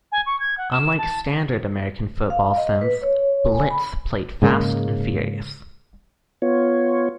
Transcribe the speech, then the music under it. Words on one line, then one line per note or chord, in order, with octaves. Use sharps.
Unlike standard American football sims, "Blitz" played fast and furious.
G#5
C#6
G#6
F#5
E7
A5
F5
D#5
B4
C#5
G#5
B5
G#2 C#3 G#3 A#3
B3 F4 C#5